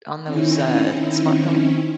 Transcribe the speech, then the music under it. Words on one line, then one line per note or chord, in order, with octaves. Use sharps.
on those, uh, smart home
D#3 C4 C#4 D#4 E4